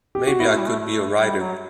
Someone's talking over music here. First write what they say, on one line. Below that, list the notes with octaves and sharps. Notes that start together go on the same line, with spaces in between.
Maybe I could be a writer.
G4
F#4
B3 E4
A3
G3
A3
A3
G3
F#3